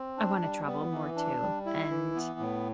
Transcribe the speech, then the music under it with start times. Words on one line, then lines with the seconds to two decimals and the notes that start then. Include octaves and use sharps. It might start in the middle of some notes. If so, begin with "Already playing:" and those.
I wanna travel more, too, and
Already playing: C4
0.17 D4
0.42 G3
0.67 B3
0.91 E3
1.16 D4
1.41 G3
1.66 E4
1.90 E3
2.15 B3
2.39 A2